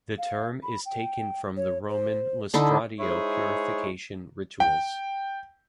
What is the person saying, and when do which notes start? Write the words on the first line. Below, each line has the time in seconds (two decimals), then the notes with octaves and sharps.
The term is taken from the Roman lustratio purification rituals.
0.18 F5
0.63 B5
0.86 G5
1.57 C#5
1.89 C5
2.54 D3 D#4 E4 A5
3.00 G#3 D#4 E4 G#4 C5 C#5
4.60 G5